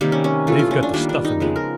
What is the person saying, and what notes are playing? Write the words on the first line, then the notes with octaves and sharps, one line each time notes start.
They've got the stuff in them!
C3 D#3 G3 A#3 G4
C#4
C#4
E3 A3 F4
F4
C#4
D4
D#3 G3 A#3 D4
D4
D#4
C#3 F3 G#3 B3
A#4